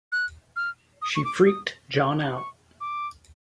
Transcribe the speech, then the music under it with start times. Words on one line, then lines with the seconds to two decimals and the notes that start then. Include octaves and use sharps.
She freaked John out.
0.12 F#6
0.56 F6
1.02 D#6
1.15 C#6
1.24 D6
1.47 D#6
2.35 C#6
2.81 D6